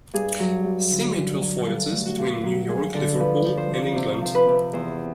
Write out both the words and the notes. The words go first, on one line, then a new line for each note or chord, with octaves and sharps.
She made twelve voyages between New York and Liverpool, England.
G2 G#4
F#3
G2
D3
D3
F#3
G2 A4
A3
F#4
G2
F#3 F#4
G2 G#4
D3 A4
F3 B4
F3
C5
F3
C3 C5
F3 C5
B4
C3
E2 C5